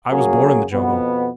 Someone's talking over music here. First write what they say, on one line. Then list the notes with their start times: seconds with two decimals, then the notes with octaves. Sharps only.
I was born in the jungle.
0.11 C#3 F#3 A#3 F#4 G#4
0.73 F2 B2 B3